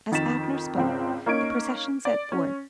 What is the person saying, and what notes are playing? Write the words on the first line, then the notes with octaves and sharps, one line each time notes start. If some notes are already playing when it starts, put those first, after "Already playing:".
As Abner spoke, the procession set forth.
F2 D#3 A6 B6 E7
G#1 C#2 C4
A#3 C#4 D#4 C#6 G#6 D7
D5
C#4